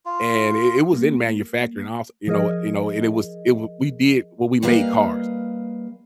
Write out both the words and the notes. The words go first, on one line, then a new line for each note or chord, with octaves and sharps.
and it it was in manufacturing also, you know you know, and it was it w we did well, we made cars,
F4
G3 A3 A#3
F3 G#4 A#4 D#5
G3 A#3 B4 D#5 F5